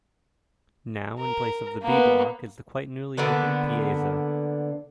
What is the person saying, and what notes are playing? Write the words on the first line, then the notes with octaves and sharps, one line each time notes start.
Now, in place of the B-block is the quite newly opened Piazza.
A#4
A#3 B3
D3 A#3 B3 D4